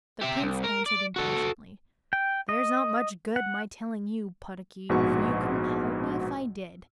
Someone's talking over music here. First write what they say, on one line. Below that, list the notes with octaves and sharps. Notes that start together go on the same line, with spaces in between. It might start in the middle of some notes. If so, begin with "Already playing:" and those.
The Prince answered impatiently, 'There's not much good my telling you, Puddocky, for you couldn't help me if I did.'
G4 E5
C2
A#4
D5
F#4 A4
G5
D#5
F#5
A#1 G#2 B2 F#4 C#6